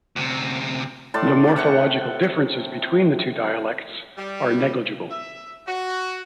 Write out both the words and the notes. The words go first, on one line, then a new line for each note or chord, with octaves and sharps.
The morphological differences between the two dialects are negligible.
D2 C3
A2 D5 A5 C6
C3 F#5 C#6
G3
E5
F#4